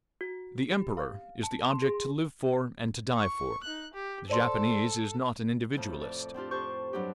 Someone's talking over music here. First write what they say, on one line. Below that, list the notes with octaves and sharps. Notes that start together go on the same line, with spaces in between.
The Emperor is the object to live for and to die for. The Japanese is not an individualist.
F#4
G4
F5
A5
C6
G#4
C#6
D#4 F#6
G4
A4 C5 D5 C6
F2 A2
D5
C4 D4 F4 G4
G4 C5 A5 C#6 G6
G2 F#3 D4 G4